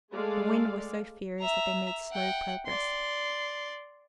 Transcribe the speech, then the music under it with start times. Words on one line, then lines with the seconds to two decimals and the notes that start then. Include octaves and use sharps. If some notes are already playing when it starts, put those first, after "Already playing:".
The wind was so fierce that they made slow progress.
0.12 G#3 A3 G#4 A4 D5 F5
1.40 E5 A#5
2.12 F#5 G5
2.67 D5 C6